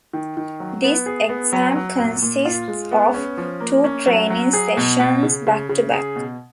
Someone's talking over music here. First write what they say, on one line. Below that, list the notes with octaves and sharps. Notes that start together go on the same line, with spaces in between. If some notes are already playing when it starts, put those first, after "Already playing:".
This exam consists of two training sessions back to back.
D#3
D#3
F#3
B3
G#4
B3
F#3
F#3
A#2
A#2
F4
G#3
B3
C#4
F3
A#3
C#4
F#3
F#3
G#4
B2
B2
C#3
C#3
C#3
G#4
B2